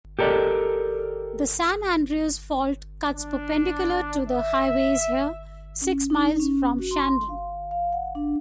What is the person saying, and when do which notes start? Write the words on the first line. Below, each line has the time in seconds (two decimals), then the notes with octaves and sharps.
The San Andreas Fault cuts perpendicular to the highways here, six miles from Shandon.
0.19 G4 A4 A#4 D5 D#5
3.13 D4
4.29 E5
5.81 C#4
6.10 D#4
6.40 C#4
6.79 F#4
6.91 C6
7.29 F5
7.71 F5
7.93 F#5
8.15 D4